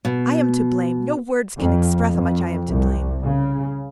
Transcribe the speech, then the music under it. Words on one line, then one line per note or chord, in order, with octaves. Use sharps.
I am to blame, no words can express how much I am to blame!
B2
F2
F2
C2
C#3